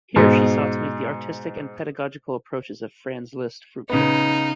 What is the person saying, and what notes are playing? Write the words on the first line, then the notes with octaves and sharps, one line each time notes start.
Here she sought to make the artistic and pedagogical approaches of Franz Liszt fruitful.
G#2 B2
C#3 B3 D#4